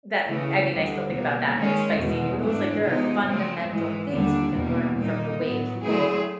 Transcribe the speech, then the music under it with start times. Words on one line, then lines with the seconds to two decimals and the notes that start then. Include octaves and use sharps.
that I mean, I still think about that, and it's spicy noodles. Like, there are fundamental things we can learn from the way people
0.28 C#3 E3 A3
0.70 D2 D3 G3
1.13 B2 G3 A#3
1.55 D#3 G#3 C#4
1.99 E2 B2 G#3
2.41 G#2 E3 A3 D4
2.84 C3 F3 G#3 B3 D#4
3.27 C#3 F3 A3 C4
3.70 G#2 E3 G#3
4.12 D#2 D3 G3 A#3 D4
4.55 E2 B2 G3 A#3
4.98 A#2 G3 A#3 D#4
5.40 A2 F#3 B3
5.82 F#3 A3 C4 E4 G#4